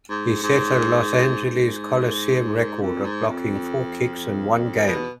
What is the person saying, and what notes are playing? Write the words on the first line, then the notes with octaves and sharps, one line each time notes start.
He set a Los Angeles Coliseum record of blocking four kicks in one game.
G#2
G#2
G#2
F2
G#2
F2
B2